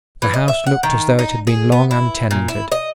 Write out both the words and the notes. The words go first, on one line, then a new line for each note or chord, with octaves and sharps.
The house looked as though it had been long untenanted.
E3
D#5
E5
F#5
D#3
D#4
G#4
B3
E4
A#2
E4
D#5